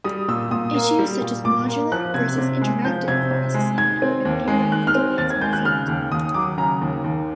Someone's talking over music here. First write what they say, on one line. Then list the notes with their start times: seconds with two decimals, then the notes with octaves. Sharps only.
Issues such as "modular" versus "interactive" processing have been theoretical divides in the field.
0.04 G3 D#6
0.28 A#2 E6
0.51 A#2 D#6
0.74 A#3
0.99 G3
1.21 A#2
1.44 A#2 D6
1.68 A#3
1.92 F3 F#6
2.14 C3 G#6
2.38 C3
2.61 G#3
2.85 F3 G6
3.08 C3 G#6
3.31 C3
3.54 G#3
3.77 D#3 G#6
4.02 C4
4.25 D#2
4.47 G#3
4.71 D#3 F#6
4.87 F6
4.95 C4
5.18 D#2 A6
5.30 G#6
5.41 G#3 G6
5.53 F#6
5.65 C#3 F6
5.88 D#2
6.11 D#2 D#6
6.34 F#3 D6
6.57 C#3 A#5
6.81 D#2
7.04 D#2